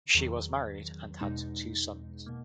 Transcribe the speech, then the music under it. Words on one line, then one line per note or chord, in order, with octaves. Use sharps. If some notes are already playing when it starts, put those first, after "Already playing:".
She was married and had two sons.
E2 D#3 F#3
E2 B2 G#3 D#4
B2 A#3